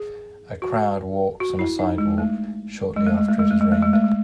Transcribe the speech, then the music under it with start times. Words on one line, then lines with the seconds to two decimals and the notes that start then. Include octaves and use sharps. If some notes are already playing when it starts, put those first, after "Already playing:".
A crowd walks on a sidewalk shortly after it has rained.
Already playing: G#4
0.62 F#4
1.40 F#4
1.59 E4
1.79 D#4
1.98 G#3
2.18 A3
2.96 G#3
3.07 A3
3.18 G#3
3.28 A3
3.39 G#3
3.51 A3
3.61 G#3
3.72 A3
3.83 G#3
3.93 A3
4.04 G#3